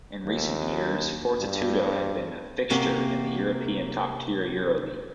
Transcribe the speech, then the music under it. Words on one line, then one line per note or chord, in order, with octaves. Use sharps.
In recent years, Fortitudo had been a fixture in the European top-tier Euroleague.
D#2
G2
C3 A#3 C#4 F#4 A#4